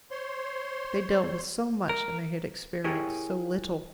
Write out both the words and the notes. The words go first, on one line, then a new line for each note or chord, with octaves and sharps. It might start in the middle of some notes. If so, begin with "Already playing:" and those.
They dealt with so much and they had experienced so little.
C5 C#5 C6
A#4
E4 G4 G#4 A#4 C#5